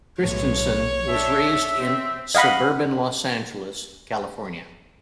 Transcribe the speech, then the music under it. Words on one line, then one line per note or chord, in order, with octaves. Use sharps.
Christensen was raised in suburban Los Angeles, California.
B1 A2 G#3 C#5
D4 A4 E5
C4
D#5 F5 F#5 B5